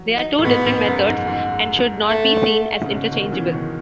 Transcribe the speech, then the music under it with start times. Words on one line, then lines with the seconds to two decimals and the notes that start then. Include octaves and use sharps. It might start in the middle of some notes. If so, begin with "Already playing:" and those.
They are two different methods and should not be seen as interchangeable.
Already playing: E3 F#3
0.17 D#4
0.39 A2
0.44 G#2 B2 B3
0.66 G#2
0.85 F#2
1.07 G#2
1.27 G#2
2.09 A3
2.86 C#3
2.91 G#2 B2
3.12 B2 D#3
3.32 C#3 E3
3.53 B2 D#3